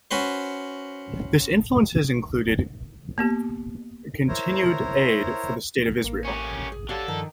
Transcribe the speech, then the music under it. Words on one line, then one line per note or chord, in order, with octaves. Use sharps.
This influence has included continued aid for the state of Israel.
C#4 F#4 B4 C5
A#3 B3 G4
E4 A#4 C5 C#5 A#5
A1 A#3
C#4 G4
G#4
D3 G4 A4 C#5 F5
G2 D#3 F3 A5